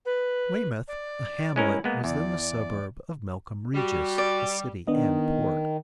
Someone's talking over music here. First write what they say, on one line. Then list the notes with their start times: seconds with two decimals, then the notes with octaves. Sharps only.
Weymouth, a hamlet, was then the suburb of Melcombe Regis, a city and port.
0.05 B4
0.88 D5
1.56 G#3 C#4 E4 A#4
1.84 G#3 A#3 B3
2.04 E2 D5
3.75 G3 F#4
4.18 D5
4.87 D#3 B3 D4 D#5